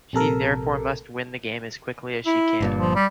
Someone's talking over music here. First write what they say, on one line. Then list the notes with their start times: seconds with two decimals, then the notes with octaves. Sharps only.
She therefore must win the game as quickly as she can.
0.13 A#1 C3 A4 A#4
2.26 E4
2.61 G1 G2 A#2
2.79 F3
2.95 G3